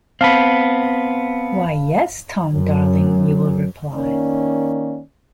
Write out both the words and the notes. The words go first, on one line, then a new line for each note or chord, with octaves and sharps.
'Why, yes, Tom, darling,' you will reply.
B3 C4 F5 A5 B5
F#2
D#3 A#3 C#4 D5